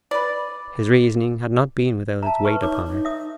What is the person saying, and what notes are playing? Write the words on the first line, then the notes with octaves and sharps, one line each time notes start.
His reasoning had not been without its weight upon her.
B4 D5
E5 A5 A#5
B4 C#6
D#4 C#5 D6
D#4
E5 D#6